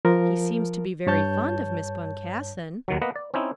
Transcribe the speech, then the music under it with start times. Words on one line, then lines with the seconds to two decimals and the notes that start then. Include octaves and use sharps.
"He seems to be very fond of Miss Boncassen."
0.05 F3 A#4
1.07 G2 C#5 A5 G6
2.88 D#2 D#3 F#3
3.02 A#3 B3 B4 D#5 F#5
3.16 D5
3.34 C4 C#4 D#4 E4